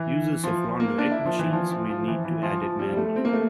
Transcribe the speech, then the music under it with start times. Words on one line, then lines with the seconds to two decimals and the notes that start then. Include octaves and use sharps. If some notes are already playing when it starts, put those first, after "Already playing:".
Users of launderette machines may need to add it manually.
Already playing: E3
0.44 F3
0.80 A#3
0.98 D4
1.11 E4
1.26 F3
1.39 E3
1.53 F3
1.71 F3
1.89 F3
2.07 E3
2.24 E3
2.43 F3
2.62 F3
2.79 G3
2.92 G3
2.97 A3
3.16 C4
3.25 A#3
3.33 A3